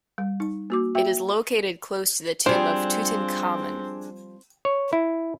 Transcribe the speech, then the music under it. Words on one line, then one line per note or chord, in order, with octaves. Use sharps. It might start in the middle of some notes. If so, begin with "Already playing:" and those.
It is located close to the tomb of Tutankhamun.
G3
D#4
A#3 F#4 D6
F#4 E5 G5
F3 G3 C4 D4 G#4 C5
C#5
E4